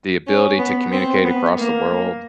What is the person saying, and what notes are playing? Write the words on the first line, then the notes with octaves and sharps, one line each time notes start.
The ability to communicate across the world,
C#4
B3
C4
B3
A#3